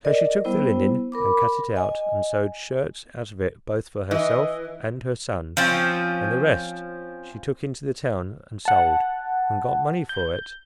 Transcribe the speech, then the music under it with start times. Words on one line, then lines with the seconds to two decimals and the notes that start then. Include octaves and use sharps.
So she took the linen and cut it out, and sewed shirts out of it both for herself and her son, and the rest she took into the town and sold, and got money for it.
0.05 A#4 D5 D#5
0.44 G3 B3 E4 C5
1.12 A#4 B5 D6
1.76 D#5 G#5
4.11 E3 D#5
5.57 F3 C4 C#4
8.65 F#5 A5
10.09 G6